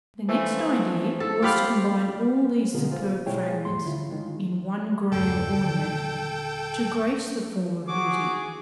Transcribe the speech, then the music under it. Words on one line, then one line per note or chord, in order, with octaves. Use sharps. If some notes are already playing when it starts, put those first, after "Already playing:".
The next idea was to combine all these superb fragments in one grand ornament to grace the form of beauty.
E3 F3 A3
A4
F4 G4 F5 G5 B5
B2 D3 B3 F4 G#4 A#4
F4 C5
B2 G#3 E4 G#4 C#5 G5
D#2 G#2 G3 A3 C6
D3 D#3 E4 F4
D#3 G#3 F4
E2 G2 C#3 A4 G5
D#1 D3
F#4 G#4 D6